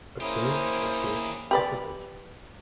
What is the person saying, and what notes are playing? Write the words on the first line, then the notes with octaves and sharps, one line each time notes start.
A trill, or shake a triplet.
A#3 C#4 D#4 E4 G4 G#4 C5
G4 B4 D5